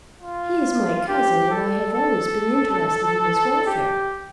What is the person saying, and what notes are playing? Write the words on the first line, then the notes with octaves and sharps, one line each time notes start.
"He is my cousin, and I have always been interested in his welfare."
F4
G4
A4
A4
G4